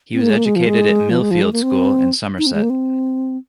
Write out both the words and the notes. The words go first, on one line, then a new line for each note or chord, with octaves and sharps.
He was educated at Millfield School in Somerset.
C4
A#3
G#3
A#3
G#3
F3
G#3
F3
G#3
F3
G#3
A#3
C4
D#4
C4
G#3
A#3
C4